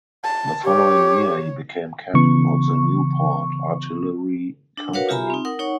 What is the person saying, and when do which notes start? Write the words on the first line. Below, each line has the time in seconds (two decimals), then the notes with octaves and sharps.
The following year he became captain of the Newport Artillery Company.
0.24 A5
0.64 G4 C#5
2.14 C#3 E3 B3 C#6
4.77 D4
4.93 F#4 A#4 B4 C#5 F5 F#5
5.09 F4 G4 E5 G#5 A#5 B5
5.30 C4 D#4
5.45 A#4 F#5 D#6
5.59 D#4 C#5 F#5 C#6